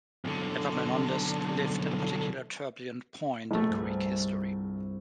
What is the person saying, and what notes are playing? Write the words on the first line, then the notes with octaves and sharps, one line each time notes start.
Epaminondas lived at a particularly turbulent point in Greek history.
B1 D3
A#1 A3
C2 G2 G#4